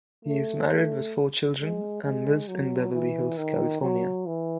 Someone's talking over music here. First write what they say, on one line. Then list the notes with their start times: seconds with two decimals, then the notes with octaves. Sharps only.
He is married with four children, and lives in Beverly Hills, California.
0.25 A3
0.70 A3
1.59 G#3
2.03 G#3
2.48 F#3
2.93 E3
3.38 D#3
3.82 F#3
4.26 E3